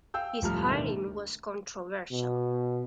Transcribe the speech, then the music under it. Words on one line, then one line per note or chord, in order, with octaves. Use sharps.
His hiring was controversial.
F5 G5 E6 G6
F1 A2 F3 G3 A#5 F6
D2 B2 D3 D#3
B2